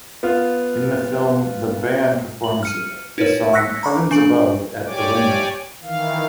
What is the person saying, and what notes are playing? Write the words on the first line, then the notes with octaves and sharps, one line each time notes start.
In the film the band performs the song "Heaven's Above" at the windmill.
B3 F4
F#7
F6 C#7 D#7
D#4 E4 A#4 B4 C#5
C#6 E6 F#6 A#6 B6 C#7
A#5 B5 C#6 D6
D4 G#5 C#6 D7 F#7
G4 C#5 D5 G#5 D6
D#3 E3 F5